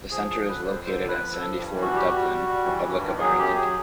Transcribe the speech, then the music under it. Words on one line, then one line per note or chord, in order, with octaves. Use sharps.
The centre is located at Sandyford, Dublin, Republic of Ireland.
F3 G#4
F3 G#4
D3 B4
F2 C5
D3 C5
F2
B4
F3
A4
F3
G2
E3
F#4
G3 G4
F#4
G3
G3
G3
E3
G2
D#3
F#3 G#4
F#2 G4
F#3 G#4